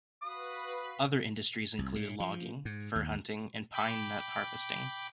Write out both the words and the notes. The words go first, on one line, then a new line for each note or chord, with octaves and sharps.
Other industries include logging, fur hunting and pine nut harvesting.
F#4 B4 F5 B5 D#6
C2
A2
F3
G#2
D#2
G5 B5 D6